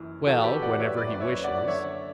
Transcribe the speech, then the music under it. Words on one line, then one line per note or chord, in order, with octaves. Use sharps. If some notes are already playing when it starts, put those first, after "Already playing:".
"Well, whenever he wishes?"
Already playing: F#1 F#2 E3
E3 F#4 A4
G4 B4
D2 D5 F#5
C#5 E5
F#1 B4 D5
D5
C#5 E5
F#2
D5 F#5
D5
D3 C#5 E5